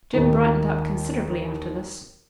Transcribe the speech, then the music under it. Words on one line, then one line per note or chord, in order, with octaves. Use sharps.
Jim brightened up considerably after this.
D#2 D#3